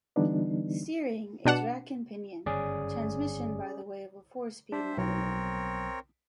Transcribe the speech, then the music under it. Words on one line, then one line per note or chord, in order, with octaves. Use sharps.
Steering is rack and pinion, transmission by the way of a four-speed manual.
D3 E3 G3 B3 D4 D#4
B2 D4 F#5 E7
G1 F#2 C#3 C#4 G#4 D5
D4 C5 E5
B1 C4 A#4 C#5